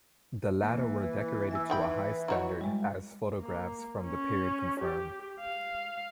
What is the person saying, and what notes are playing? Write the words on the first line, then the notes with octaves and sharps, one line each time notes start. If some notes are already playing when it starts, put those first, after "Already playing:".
The latter were decorated to a high standard, as photographs from the period confirm.
E3 A#3
E5 G#5 E6
D#4 G5 B5
E4 F#4 C#5 D#5 F#5 A#5
G3 G#3
A#3
C#4
G4
F5